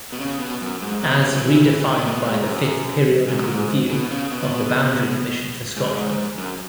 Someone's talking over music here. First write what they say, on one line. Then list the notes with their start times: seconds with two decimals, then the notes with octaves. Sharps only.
As redefined by the Fifth Periodical Review of the Boundary Commission for Scotland.
0.12 B2
0.20 C#3
0.40 B2
0.61 F#2
0.82 G#2
1.03 B2
1.23 C#3
1.33 F#3
1.44 E3
1.59 D#3
1.65 E3
1.80 E3
1.85 D#3
2.01 A#2
2.05 B2
2.25 G#2
2.46 F#2
3.28 G#2
3.38 F#2
3.47 G#2
3.91 B2
4.11 C#3
4.32 B2
5.77 G#2
5.83 F#2
5.91 G#2
6.38 F#2